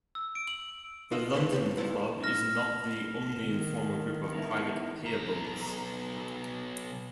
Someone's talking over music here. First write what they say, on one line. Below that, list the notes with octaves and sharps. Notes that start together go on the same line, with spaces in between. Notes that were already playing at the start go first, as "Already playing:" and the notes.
The London Club is not the only informal group of private payables.
E6
D7
F#7
F4 F#4 B4 D#5 E5
F3 G#3 C4 E4 B4
D#2 G4
G2 F3 A3 E4 B4
F6 A#6
D#3
B3 D#4 E4
B1 A#5